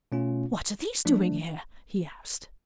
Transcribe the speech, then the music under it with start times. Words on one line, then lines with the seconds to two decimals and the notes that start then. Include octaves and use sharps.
"What are these doing here?" he asked.
0.12 B2 A3 C#4 F4
1.05 F3 A3 D4